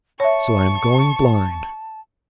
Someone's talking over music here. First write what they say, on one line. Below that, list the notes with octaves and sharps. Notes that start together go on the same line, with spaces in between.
So I am going blind.
C#5 E5 A5 C#6